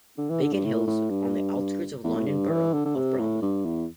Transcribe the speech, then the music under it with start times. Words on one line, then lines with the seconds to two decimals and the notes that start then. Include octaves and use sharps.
Biggin Hill is on the outskirts of the London Borough of Bromley.
0.18 D3
0.30 E3
0.42 D3
0.53 G2
0.65 A2
0.87 A2
1.10 G2
2.04 E2
2.15 A2
2.26 G2
2.50 E3
2.73 D3
2.85 D3
2.96 C3
3.20 A2
3.42 G2
3.65 E2